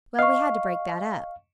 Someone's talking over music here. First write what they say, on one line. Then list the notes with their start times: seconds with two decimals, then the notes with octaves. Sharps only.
Well, we had to break that up.
0.19 D#5 F5 C#6